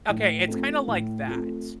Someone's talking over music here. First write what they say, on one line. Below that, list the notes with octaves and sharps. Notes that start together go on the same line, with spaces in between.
Okay, it's kinda like that.
A2
A3 C4 F4
A2
A3 C4 F4